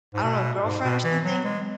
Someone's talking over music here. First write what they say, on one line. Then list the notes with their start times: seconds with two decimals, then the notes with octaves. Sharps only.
I don't know, girlfriend or something?
0.14 G#2
0.23 B2
0.63 G#2
0.83 B2
1.04 E3
1.25 F#3
1.45 G#3